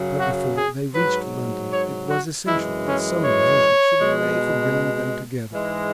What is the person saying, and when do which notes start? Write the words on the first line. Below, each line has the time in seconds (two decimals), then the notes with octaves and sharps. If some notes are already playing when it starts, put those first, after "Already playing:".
But before they reached London it was essential that some arrangement should be made for bringing them together.
Already playing: F#2 C#3 F#3
0.18 F#4
0.56 G#4
0.94 G#2 F#3 B4
1.71 C#5
2.09 F#4
2.47 F#2 E3 G#3 E4
2.85 C#4
3.23 C#5
3.99 B2 G#3
5.52 G#2 E3 G#3